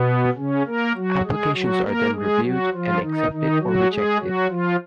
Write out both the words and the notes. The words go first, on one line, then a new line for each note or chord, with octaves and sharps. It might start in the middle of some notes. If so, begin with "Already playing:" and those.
Applications are then reviewed and accepted or rejected.
Already playing: B2 B3
C#3 C#4
A#3 A#4
F#3 F#4
G#3 G#4
F#3 F#4
A#3 A#4
G#3 G#4
F#3 F#4
F3 F4
D#3 D#4
D#3 D#4
F#3 F#4
G#3 G#4
F#3 F#4
F3 F4